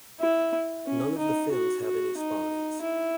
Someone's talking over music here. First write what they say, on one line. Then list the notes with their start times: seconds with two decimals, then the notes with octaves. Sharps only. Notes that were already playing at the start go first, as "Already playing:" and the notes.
None of the fins have any spines.
0.20 E4
0.86 C#4
1.18 D#4
1.52 F#4
1.84 F#4
2.18 D#4
2.82 E4